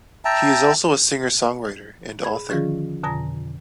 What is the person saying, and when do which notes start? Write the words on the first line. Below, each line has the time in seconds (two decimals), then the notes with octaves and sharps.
He is also a singer-songwriter, and author.
0.25 E5 G5 A5 A#5
2.24 G#4 B5 G#6
2.49 D3 D#3 F3 C#4 F4 G#4
3.03 F2 B2 D3 G#5 A#5 A#6